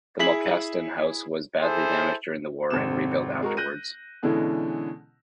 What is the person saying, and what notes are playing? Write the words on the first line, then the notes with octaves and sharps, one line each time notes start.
The Malkasten house was badly damaged during the war and rebuilt afterwards.
E4 G#4 B6 F#7
E4 G#4 A4 C5
G#1 F2 C3 E7
G#3 F#4 A#4
F#6 G6 A#6 D#7
B2 D3 E3 G#3 C#4 E4